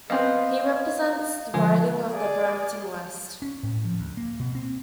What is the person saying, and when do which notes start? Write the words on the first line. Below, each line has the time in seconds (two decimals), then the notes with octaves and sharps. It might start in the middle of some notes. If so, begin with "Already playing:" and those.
He represents the riding of Brampton West.
0.10 B3 C4 B4 D#5 F5
1.54 D3 F3 G#3
2.11 G#4 D5
3.42 C#4
3.63 A2
3.85 F3
4.00 D2
4.17 A#3
4.40 B2
4.55 C4